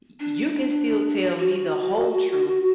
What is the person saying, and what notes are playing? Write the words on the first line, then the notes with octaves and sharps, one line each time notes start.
y you can still tell me the whole truth,
D4
F#4